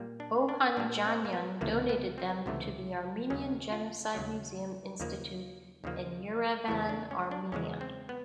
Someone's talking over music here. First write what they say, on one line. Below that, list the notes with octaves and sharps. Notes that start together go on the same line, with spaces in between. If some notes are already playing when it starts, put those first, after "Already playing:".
Ohandjanyan donated them to the Armenian Genocide Museum-Institute in Yerevan, Armenia.
Already playing: A#2 G3 A#3
D4
D4
A#2 G3 A#3 D4
C4
A#3
B3
C#2 C3 E3 A3 A#3
B3
C4
C#2 C3 E3 A3
D#2 C#3 F#3 C#4
F4
D#2 C#3 F#3
D#2 C#3 F3 A#3
D#2 C#3 F3 A#3
E2 C#3 E3 G#3 E4
D4
C#4
D4
E2 C#3 E3 G#3 C#4
C4
B3